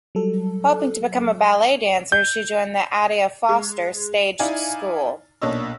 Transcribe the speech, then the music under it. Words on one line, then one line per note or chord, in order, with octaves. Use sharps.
Hoping to become a ballet dancer she joined the Aida Foster stage school.
F#3 G3 A4
G6
G#3
D#4 E4 D5 F5 G#5
B1 A#2 D4 C#5 D#5 E6